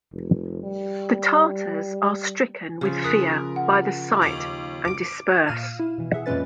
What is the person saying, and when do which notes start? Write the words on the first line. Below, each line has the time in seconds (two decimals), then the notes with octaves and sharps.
The Tatars are stricken with fear by the sight and disperse.
0.12 F1
0.63 G3
2.81 C#3 F3
3.04 A#4 D#6 F#6 B6
3.56 F#5
4.22 D#2 D6 F7
4.85 D6 D7
5.48 A#2 F5 F6 D#7 E7
5.80 E4
5.98 B2 E3
6.13 G#4 E5 F#5
6.26 F2 A#2 G#3 C#4 B4 A6